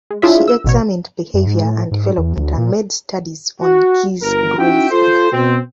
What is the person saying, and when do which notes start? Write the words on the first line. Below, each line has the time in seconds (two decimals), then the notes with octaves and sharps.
She examined behaviour and development and made studies on geese grazing.
0.11 G#3
0.22 D4 E4 F4 G#4 C#5 E5
0.48 E6
0.64 A1 B2 C#5
1.34 F#2
1.46 G#2
1.64 A2
1.92 G#2
2.18 E2
2.37 D2
2.58 A#2
3.60 F#4
4.21 G1 A#4
4.57 C#4 D#4 E4 F#4 E5 G5
4.91 F4 A4 C5
5.31 B2 C4